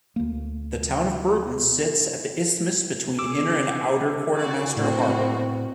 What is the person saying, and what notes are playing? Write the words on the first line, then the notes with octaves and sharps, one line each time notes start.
The town of Burton sits at the isthmus between Inner and Outer Quartermaster Harbor.
D2 A#3
G#4 D6 E6
F4 F#4 D5
A2 B3 C4 F#4